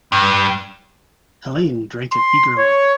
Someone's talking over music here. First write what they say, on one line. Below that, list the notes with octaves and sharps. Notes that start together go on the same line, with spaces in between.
Helene drank it eagerly.
G2
C6
C#5